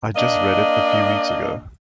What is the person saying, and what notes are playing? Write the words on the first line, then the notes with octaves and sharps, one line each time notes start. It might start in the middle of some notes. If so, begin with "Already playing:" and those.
I just read it a few weeks ago.
A#3 D4 D#5